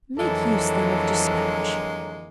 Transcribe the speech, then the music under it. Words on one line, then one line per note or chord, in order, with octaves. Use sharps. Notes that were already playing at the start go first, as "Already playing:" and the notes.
Make use then of despatch.
F2 D3 E3 F#3 G#3 A#3 A4